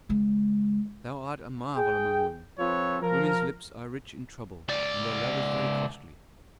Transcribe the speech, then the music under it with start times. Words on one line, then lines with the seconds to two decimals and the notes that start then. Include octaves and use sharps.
Thou art a marvel among women; women's lips are rich in trouble and their love is very costly.
0.09 C#3 G#3
1.76 G#4 G5
2.59 F3 C4 F4 A4 B4 C#5
3.01 F3 A#4
4.68 C#2 D5